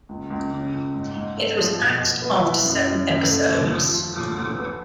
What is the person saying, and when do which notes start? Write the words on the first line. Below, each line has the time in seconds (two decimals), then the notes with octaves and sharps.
It was axed after seven episodes.
0.09 C#2
0.30 C#2
0.52 C#3
0.73 C#2
0.95 G#2
1.15 G#2
1.37 A3
1.58 F3
1.79 B2
2.00 B2
2.22 B3
2.43 E4
2.65 F#2
2.86 F#3
3.07 F#2
3.28 A3
3.49 D#2
3.71 F3
3.92 F3
4.14 F3
4.35 D2
4.56 B3